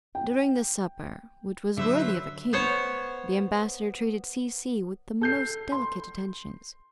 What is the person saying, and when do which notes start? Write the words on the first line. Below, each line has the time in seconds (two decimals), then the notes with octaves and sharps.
During the supper, which was worthy of a king, the ambassador treated C- --- C---- with the most delicate attentions.
0.15 G5
1.78 D3 F#3 B4 C5 E5
2.53 B3 C5 C#5
5.21 A4 G6 C7
5.72 C6